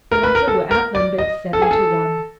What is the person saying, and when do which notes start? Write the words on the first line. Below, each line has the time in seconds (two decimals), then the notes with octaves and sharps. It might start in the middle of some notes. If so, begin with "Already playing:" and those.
The latter were outnumbered seven to one.
0.12 A#4
0.23 B4
0.35 A#4
0.48 A4
0.71 A#4
0.95 D5
1.18 D#5
1.53 A4
1.62 G#4
1.71 A4